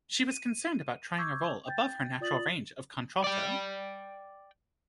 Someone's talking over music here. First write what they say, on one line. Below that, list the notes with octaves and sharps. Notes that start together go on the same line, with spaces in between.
She was concerned about trying a role above her natural range of contralto.
D#7
C#6 D6 E6 G6 G#6
G5 G6 A6
F4 D5 D#6 A6 F#7
D5 G5